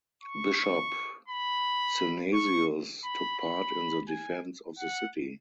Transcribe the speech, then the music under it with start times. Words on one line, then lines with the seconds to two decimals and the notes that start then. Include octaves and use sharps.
Bishop Synesius took part in the defence of the city.
0.23 C#6
1.28 B5
2.34 C#6
3.04 B5
3.39 B5
4.09 G#5
4.79 F#5